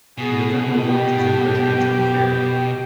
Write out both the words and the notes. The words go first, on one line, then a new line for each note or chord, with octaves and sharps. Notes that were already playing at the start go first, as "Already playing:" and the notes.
In November, Welch was replaced by John Fair.
B2 G#4
G4 G5